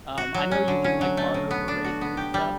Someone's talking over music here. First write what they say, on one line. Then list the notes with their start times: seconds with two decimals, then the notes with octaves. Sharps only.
um, I know you can, like, barter for raises and stuff,
0.18 F#4
0.34 F#3
0.51 C#4
0.68 D3
0.84 C#4
1.01 F#3
1.17 A3
1.34 B2
1.51 B3
1.68 D4
1.84 F#4
2.01 B3
2.17 G4
2.34 G3